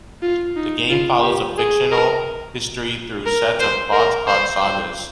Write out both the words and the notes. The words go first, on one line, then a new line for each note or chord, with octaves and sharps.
The game follows a fictional history through sets of plots called "Sagas".
F4
D#4
F4
G4
G#4
A#4
A#4
C5
A#4
C5
C5